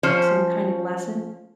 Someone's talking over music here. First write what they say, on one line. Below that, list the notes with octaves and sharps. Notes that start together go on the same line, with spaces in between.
some kind of lesson?
F3 C#4 C5